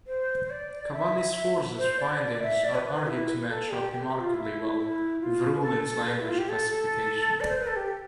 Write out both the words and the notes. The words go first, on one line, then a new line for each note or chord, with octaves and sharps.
Cavalli-Sforza's findings are argued to match up remarkably well with Ruhlen's language classification.
C5
C5
D5
E5
E5
C5
D5
D5
E5
D5
B4
B4
B4
E4
B4
A4
G4
G4
G4
F4
E4
E4
F4
B4
A4
B4
E4
F4
G4
A4
A4
D5
C5
B4
A4
G4